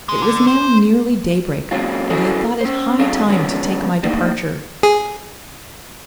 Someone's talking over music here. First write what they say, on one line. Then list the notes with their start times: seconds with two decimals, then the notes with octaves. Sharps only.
It was now nearly daybreak, and I thought it high time to take my departure.
0.09 G#3
0.22 D3
0.47 C5
1.71 A#2 F#3 G#3 C4 C#4 F4
2.10 C#4 E4 F#4 G#4 A4 C5
2.61 C#4 C5
2.99 F#3 C4 D4 G#4 A4 F5
3.27 D3 F3 G#3 B3 C#4
4.03 G3 A3 A#3 D#4
4.83 G#4